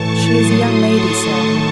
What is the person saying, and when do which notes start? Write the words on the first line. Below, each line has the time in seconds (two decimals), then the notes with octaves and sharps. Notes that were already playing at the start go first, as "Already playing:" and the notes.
"She is a young lady, sir."
Already playing: A2 E3 A3 A5 C#6
0.36 A2 F#3 A3 C6 D#6
0.87 A5 C#6
1.37 D#3 A3